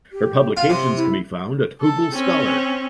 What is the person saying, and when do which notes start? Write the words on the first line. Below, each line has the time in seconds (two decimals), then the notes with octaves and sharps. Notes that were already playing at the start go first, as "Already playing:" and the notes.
Her publications can be found at Google Scholar.
0.13 G4
0.57 F4 F5
0.70 C3 C6
0.96 E4
1.81 A4
2.13 C4 C#4